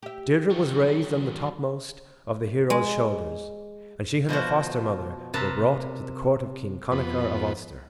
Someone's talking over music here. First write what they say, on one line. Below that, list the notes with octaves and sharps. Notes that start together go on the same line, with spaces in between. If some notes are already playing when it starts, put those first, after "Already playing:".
Deirdre was raised on the topmost of the heroes' shoulders and she and her foster-mother were brought to the Court of King Connachar of Ulster.
G4 E5
D#3 F#3
G#3
B2 F3 F4 F#4
C3 A#4 B4 A5 A#5
F2 B3